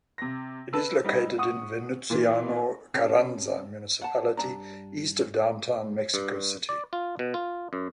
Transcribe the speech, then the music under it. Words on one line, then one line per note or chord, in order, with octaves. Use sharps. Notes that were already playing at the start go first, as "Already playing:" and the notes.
It is located in Venustiano Carranza municipality east of downtown Mexico City.
C3 A#6
B4 A5 E6
G3 D#4
F#5 C#6 D#6
A#2 E3 A#3
C3 C#4 D4
F#5 A5
G2 D4 A#5
G2
D5
F4
B2
F4
F#2